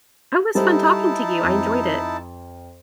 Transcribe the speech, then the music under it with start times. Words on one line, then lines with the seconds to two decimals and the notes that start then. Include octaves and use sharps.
It was fun talking to you, I enjoyed it.
0.55 G3 D#4 E4 A4 C5 A5
1.43 F2